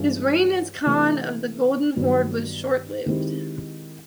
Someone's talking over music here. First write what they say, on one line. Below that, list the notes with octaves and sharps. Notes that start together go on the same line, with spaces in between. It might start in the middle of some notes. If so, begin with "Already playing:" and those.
His reign as khan of the Golden Horde was short-lived.
Already playing: G2 E3 G#3 C#4 F4
C3 E3 A3
G2 D#3 F#3 B3
D#3 G#3 C4 E4 G4